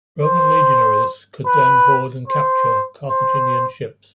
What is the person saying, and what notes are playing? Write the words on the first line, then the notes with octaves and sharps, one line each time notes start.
Roman legionaries could then board and capture Carthaginian ships.
C5
B4
C5
C5